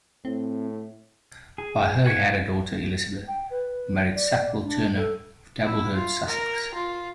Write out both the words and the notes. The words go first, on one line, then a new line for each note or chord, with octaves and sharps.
By her he had a daughter Elizabeth, who married Sackville Turnor of Tablehurt, Sussex.
A2 C4
G#4
F#5 G#5 C#6
G5
B4
D5
D4
A4
E4
F4
A#4
F4